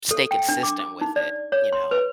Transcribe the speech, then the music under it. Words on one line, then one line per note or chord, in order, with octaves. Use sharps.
stay consistent with it, you know.
A4
G5
D4
D6
D6
D#4
D5
C#5
C6
B4